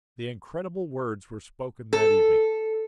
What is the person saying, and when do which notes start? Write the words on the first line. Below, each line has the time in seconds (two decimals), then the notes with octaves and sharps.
The incredible words were spoken that evening.
1.93 A4